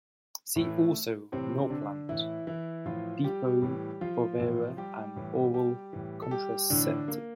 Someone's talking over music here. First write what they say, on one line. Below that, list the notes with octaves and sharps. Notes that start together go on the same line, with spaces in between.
See also Norplant, Depo-Provera and oral contraceptive.
A2 E3 A3
A2 C3 E3 C4
D3 D4
A2 E3 E4
E3 E4
A2 E3 F3 F4
G3 G4
A2 E3
F3 F4
A2 E3
G3 G4
A2 E3
G3 G4
A2 E3
A4
G3 G4
A2 D3 E3 D4
A#3